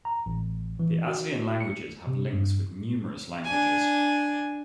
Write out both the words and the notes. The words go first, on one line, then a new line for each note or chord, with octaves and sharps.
The Aslian languages have links with numerous languages.
A#5
A1
E3
F#4
C#7
C3
G2
D4 G#5